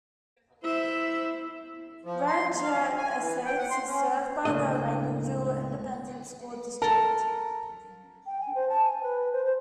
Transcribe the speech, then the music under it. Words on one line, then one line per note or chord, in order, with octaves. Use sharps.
Ranchette Estates is served by the Raymondville Independent School District.
E4 C5 E5
F3
C6
E2
F5
C4
G#5
E3
G5
F#5
C6
C#4
C#2 A2 G3 A#3 D4 D#5
A4 A#4 A5
G5
G#5
C5
A5
G#5
B4
C5
C5